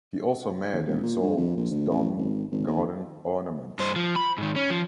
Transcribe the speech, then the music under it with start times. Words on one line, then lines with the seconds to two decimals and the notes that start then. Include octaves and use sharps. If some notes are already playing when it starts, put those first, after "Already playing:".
He also made and sold stone garden ornaments.
0.73 D#2
0.86 E1
1.03 A#2
1.22 G2
1.37 F2
1.56 A#1
1.71 D2
1.89 A1
2.17 G#1
2.51 G#1
2.67 D#2
3.79 G2 C5
3.96 F3
4.16 B5
4.38 G#2 D#3
4.56 C#4
4.70 F3